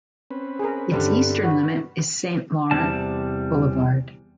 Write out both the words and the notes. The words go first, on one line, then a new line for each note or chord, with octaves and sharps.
Its eastern limit is Saint Laurent Boulevard.
C4 C#4 B4
G#4 A#4
G2 D3 G3
F#4 B4
E2 C3 G3 A5